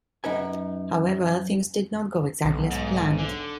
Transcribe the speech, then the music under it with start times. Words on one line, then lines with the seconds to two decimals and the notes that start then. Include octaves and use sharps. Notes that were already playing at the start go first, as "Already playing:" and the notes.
However, things did not go exactly as planned.
0.24 F#2 D#4 B4 G#5
2.45 B1
2.72 G#2
3.19 D3